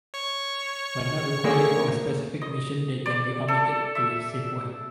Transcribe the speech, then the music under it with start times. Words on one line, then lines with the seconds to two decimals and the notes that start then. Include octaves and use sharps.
When not required for a specific mission they can be omitted to save weight.
0.14 C#5 C#6
1.44 D3 A3 A#3 G#4
2.42 D#5
3.06 D5
3.48 A4
3.95 E5